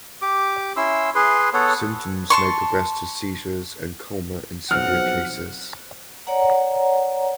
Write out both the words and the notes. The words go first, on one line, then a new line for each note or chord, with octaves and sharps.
Symptoms may progress to seizures and coma in severe cases.
G4 D6
C#4 E4 C6 E6
G#4 B4 C6
B3 A4 C#5 F#5
A5 C6 C#6
B1 F3 C4 F#5 F6
C#5 D5 F#5 A#5